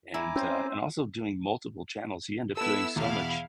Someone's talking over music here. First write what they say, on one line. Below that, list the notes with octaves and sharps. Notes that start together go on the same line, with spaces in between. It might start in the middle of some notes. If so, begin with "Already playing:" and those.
and, uh and also doing multiple channels, you end up doing so much
E4 G#5 A#5 D6
C4 C#4 C5
B3 E4 A4 E6
E2 B2 E4 F5